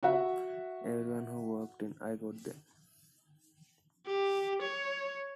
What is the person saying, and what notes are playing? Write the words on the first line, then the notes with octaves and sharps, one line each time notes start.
Everyone who walked in, I got them.
F#4 E5 F#5
G4
C#5